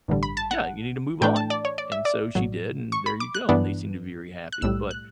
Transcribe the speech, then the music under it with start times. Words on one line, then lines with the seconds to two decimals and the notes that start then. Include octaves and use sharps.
Yeah, you need to move on, and so she did, and there you go, and they seem to be very happy, but,
0.08 A1 G2 D3 G3
0.23 B5
0.37 A5
0.51 F#5
1.21 A2 E3 A3 D4 G5
1.36 A5
1.50 D5
1.65 C#5
1.78 D5
1.92 E5
2.05 D5
2.35 A1 A2 F#3
2.92 C#6
3.06 B5
3.20 D6
3.34 F#6
3.49 G2 E3 B3 D4
4.52 F#6
4.62 B1 A2 G3 E6
4.91 F#6